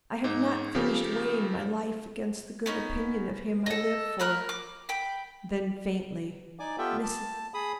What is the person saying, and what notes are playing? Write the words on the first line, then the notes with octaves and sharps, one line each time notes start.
I have not finished weighing my life against the good opinion of him I live for." Then faintly--"Mrs.
G#2 D#4
C#3 F3 G4 A4
B3 C#4 D#4
A4 D#5
A#4 B5 F6 F#6
D6
G5 B5
D#4 D5 G#5 D6
B3 F4 G4 A4 E5 G5
A5
G#4 B5 D#6